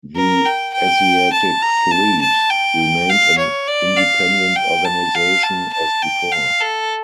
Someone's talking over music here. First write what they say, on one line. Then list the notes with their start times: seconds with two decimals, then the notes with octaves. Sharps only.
The Asiatic Fleet remained an independent organization as before.
0.16 A#4
0.45 G5
0.74 G5
1.33 A5
1.62 A#5
1.91 A5
2.21 A5
2.50 G5
3.10 F5
3.38 C#5
3.68 D5
3.97 F5
4.56 G5
4.85 A5
5.15 F5
5.43 A5
5.73 A5
6.02 G5
6.32 F5
6.61 A4